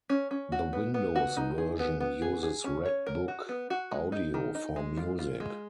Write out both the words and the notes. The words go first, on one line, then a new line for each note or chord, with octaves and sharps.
The Windows version uses Red Book audio for music.
C#4
C#4
F#4
B3
B3
F#4
D#4
G#4
B3
B3
G#4
G#4
C#4
C#5
A#4
F#4
B3
F#4
G#3
D#4
D#3
D#4
G#3
F4
F4
G#3